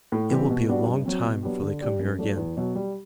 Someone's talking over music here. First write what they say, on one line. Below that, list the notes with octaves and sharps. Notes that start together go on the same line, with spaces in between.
It will be a long time before they come here again.
A2
E3 G3 C4 G4
B2
G3 B3 D4 F#4
G2
F#3 C4
B2
F#3 B3 D4 G4
D3
G3 D4 G4 D5
F#2
F#3 A3 D4
E2
B2 F#3
G3